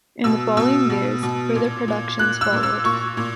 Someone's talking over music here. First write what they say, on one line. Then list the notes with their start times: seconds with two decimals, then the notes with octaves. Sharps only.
In the following years, further productions followed.
0.24 B2 E6
0.57 B2 E6
0.90 B2
1.23 B2
1.55 A#2
1.88 A#2
2.19 A#2 F#6
2.41 E6
2.52 A#2
2.63 E6
2.85 A#2 C#6
3.17 A#2